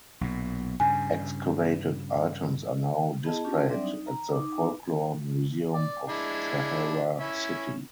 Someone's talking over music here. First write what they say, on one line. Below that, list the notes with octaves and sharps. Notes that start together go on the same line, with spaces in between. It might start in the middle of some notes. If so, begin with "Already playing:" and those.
Excavated items are now displayed at the Folklore Museum of Tahara City.
B1 A#2
G2 C#3 G#5
B3 E4 G#4 D#5 A5
C#4 D4 F4 G4 A5
F#3 G3 C4 D4 D5 E5
D#4
A#5
D#4 D6
D5
G#3 D4 E4
C#4 E4 E5